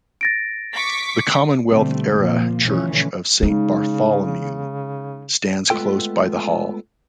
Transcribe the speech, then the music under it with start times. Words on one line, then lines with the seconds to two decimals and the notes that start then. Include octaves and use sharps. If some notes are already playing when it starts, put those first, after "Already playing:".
The Commonwealth era church of Saint Bartholomew stands close by the Hall.
0.21 A6 A#6 D7
0.73 C#6 D6 B6
1.69 B2 D3 G3 A3 C4
2.17 A#2 F3 A#3
2.63 B2 D3 E3 F3 A3 C#4
3.43 C#3 G#3 D#4
5.70 G#3 A3 B3 F4 A4 G5